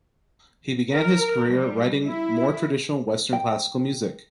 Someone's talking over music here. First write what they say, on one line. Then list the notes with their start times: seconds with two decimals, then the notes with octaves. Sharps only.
He began his career writing more traditional Western classical music.
0.93 A#4
1.49 G3
2.08 E4
3.33 G5